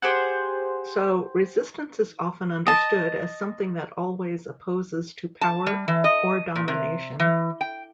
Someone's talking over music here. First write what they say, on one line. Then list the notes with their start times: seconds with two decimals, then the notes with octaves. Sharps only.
So, resistance is often understood as something that always opposes to power or domination.
0.02 G4 G#4 C5 F#5
2.67 D#5 A5
5.41 A5
5.66 G3
5.88 E3
6.04 D#5
6.56 A#2
6.68 C3
7.20 E3
7.61 G5